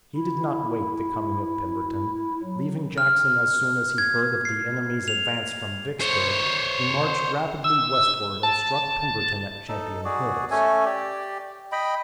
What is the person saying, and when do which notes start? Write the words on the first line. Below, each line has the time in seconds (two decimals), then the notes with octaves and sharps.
He did not wait the coming of Pemberton. Leaving Jackson as soon as he heard of the enemy's advance from Vicksburg, he marched rapidly westward and struck Pemberton at Champion Hills.
0.17 E4
2.43 F#3
2.98 F6
3.98 G#6
4.45 C7
5.08 F7
6.01 C5 C#5
7.64 E6
8.43 A5
9.69 D#4 A4
10.05 F#4 G#4 D5
10.51 A3 C#4 A4 G#5
10.85 G4 D5
11.72 D#5 G5 B5